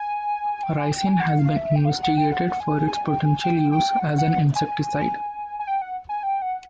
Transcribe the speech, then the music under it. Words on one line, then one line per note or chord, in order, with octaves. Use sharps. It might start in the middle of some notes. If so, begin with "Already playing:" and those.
Ricin has been investigated for its potential use as an insecticide.
Already playing: G#5
G5
G#5
G5
G#5
F#5
F5
E5
G5
F5
F#5
F#5
G5
F#5
G#5
G#5
G5
G#5
G5
G5
F#5
F#5
G#5
G#5
G5
F#5
G#5
G5
F#5